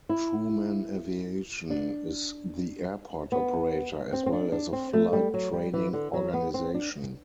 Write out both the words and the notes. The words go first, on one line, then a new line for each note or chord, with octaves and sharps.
Truman Aviation is the airport operator, as well as a flight training organisation.
E4
D4
B3
C4
C4
D4
D4
C4
A3
G3
F#3
G3
E3
D3
F#3
B3
C4
D4